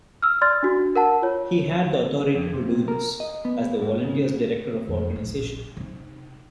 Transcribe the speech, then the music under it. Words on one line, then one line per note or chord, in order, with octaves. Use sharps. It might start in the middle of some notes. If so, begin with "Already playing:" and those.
He had the authority to do this, as the Volunteers' Director of Organisation.
E6 F6
D5 C6 F6 A6
D4 F#4
A#4 F#5 A5
F4 C#5
F2
C3
A#4
D#5
B3
G#2
C#3
F2 B2
D1 A#1
C3 D#4